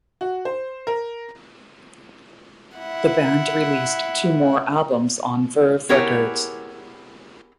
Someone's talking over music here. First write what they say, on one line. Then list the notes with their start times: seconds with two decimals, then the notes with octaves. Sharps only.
The band released two more albums on Verve Records.
0.21 F#4
0.45 C5
0.87 A#4
2.78 E4 F#5
5.89 B3 E4 G4 G#4 A#4 C#5